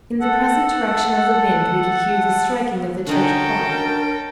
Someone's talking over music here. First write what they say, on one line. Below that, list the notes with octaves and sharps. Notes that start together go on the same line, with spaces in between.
In the present direction of the wind, we could hear the striking of the church clock.
A4 F#5
D3 C#4 D#4 F#4 A4 A#4 G5